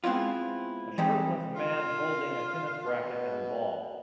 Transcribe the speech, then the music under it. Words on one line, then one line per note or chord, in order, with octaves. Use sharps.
A shirtless man holding a tennis racket and ball.
G#3 B3 C4 E4 F4
E3 G3 G#3 C4 D#4 G4
F4
B2